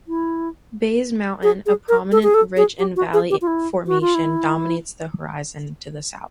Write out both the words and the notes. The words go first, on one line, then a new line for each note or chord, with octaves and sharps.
Bays Mountain, a prominent Ridge-and-Valley formation, dominates the horizon to the south.
E4
G#4
G#4
A#4
A4
G#4
A4
G#4
G4
F#4
G#4
G4
F4
E4
F#4
F4
E4